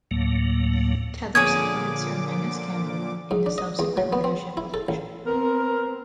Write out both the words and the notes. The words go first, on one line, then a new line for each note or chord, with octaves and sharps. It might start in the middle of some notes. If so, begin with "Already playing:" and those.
Teather supported Sir Menzies Campbell in the subsequent leadership election.
D2 A2 F#3 A#3
A#2 D3 F3 G#4 C#5 D6 D#6 G#6
G#2
D4
D#5
E2
F#3
B3
C4
E4
A4
A1
B3 C4 A#4